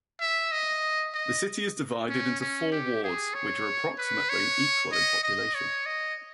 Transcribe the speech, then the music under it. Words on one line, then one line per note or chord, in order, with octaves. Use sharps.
The city is divided into four wards which are approximately equal in population.
E5
D#5
D#5
C#4
C#4
G4
G#4
C#5
B4
C#5
D#5
D#5
C#5
D#5